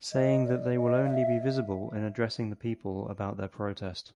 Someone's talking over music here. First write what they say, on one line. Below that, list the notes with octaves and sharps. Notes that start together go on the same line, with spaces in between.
Saying that they will only be visible in addressing the people about their protest.
D#5
D5
D#5
F5
E5